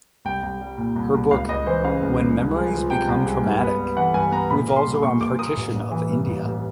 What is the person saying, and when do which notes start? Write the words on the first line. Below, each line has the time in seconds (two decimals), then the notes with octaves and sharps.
Her book "When Memories Become Traumatic" revolves around partition of India.
0.25 C2 G5
0.43 C2
0.61 G3
0.78 A#2
0.96 C2
1.14 C2
1.31 C#2 F5
1.48 C#2 D#5
1.67 E3 C5
1.84 C#3 F5
2.03 C#2
2.20 C#2
2.38 C2
2.56 G#3
2.73 F3
2.90 C3 G5
3.09 C2
3.26 G#3
3.43 G2
3.61 B3
3.79 G3
3.97 E3 F#5
4.14 G2 G#5
4.32 B3 A#5
4.50 A#1 B5
4.68 A#3
4.76 C6
4.85 G3
5.02 A#2 C#6
5.20 A#1 D6
5.38 A#3 D#6
5.57 A1
5.74 A1
5.91 E3
6.10 G2
6.26 A1
6.45 A1